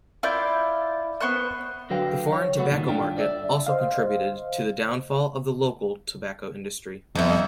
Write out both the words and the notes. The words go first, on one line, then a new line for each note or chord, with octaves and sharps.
The foreign tobacco market also contributed to the downfall of the local tobacco industry.
E4 F4 D5 G6
B3 C5 C#6 F#6
D3 F#3 F#4 B4 F5 G5
C#5
F#3 A3 B3 F#4
D#2 A#2 D#3
G2 D4 F4 A4 G5
D5 E5
C5 D#5 F5
F2 F3 G3 B3 D#4 E5